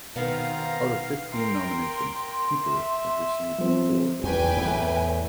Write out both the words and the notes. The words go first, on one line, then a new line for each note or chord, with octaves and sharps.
Out of fifteen nominations, Cooper has received four awards.
B2 D#3 B3 C4 F5 A#5
A#4 G5 C6 C7
E5
F3 C4
E2 B4 G5 G#5
E2 A2